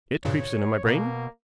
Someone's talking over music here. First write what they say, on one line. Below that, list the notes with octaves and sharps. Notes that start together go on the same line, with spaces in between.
"It creeps into my brain."
G2 A#2 C#3 C#5
B2 A#3